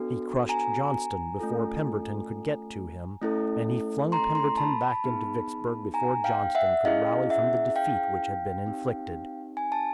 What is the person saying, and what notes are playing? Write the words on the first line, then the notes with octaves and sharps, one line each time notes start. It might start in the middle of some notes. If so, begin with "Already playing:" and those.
He crushed Johnston before Pemberton could get to him, and he flung Pemberton back into Vicksburg before Johnston could rally from the defeat which had been inflicted.
Already playing: B3 D4 F#4 A4
G#5 A#5
A3 C#4 F4 A4
A3 C#4 E4 A4
A#5 C6
A#5 C6
A5 B5
A5 B5
B3 D#4 G#4
G#5 A#5
F5 G5
E5 F#5
C#4 E4 G#4 D#5 F5
E5 F#5
F5 G5
C4 D#4 G4
G#5
A5